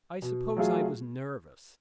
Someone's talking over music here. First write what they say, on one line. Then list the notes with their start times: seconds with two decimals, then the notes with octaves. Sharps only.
I suppose I was nervous.
0.22 B2
0.57 F#3 A3 F4 G#4